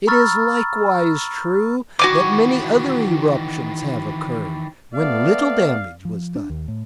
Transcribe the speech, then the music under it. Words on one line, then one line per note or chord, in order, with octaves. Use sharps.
"It is likewise true that many other eruptions have occurred, when little damage was done."
A#5 B5 C#6 E6 F6 A6
D#3 E3 F#4 G#5 D6
A3 B3 D5 F5
F3
D4
D#2
A2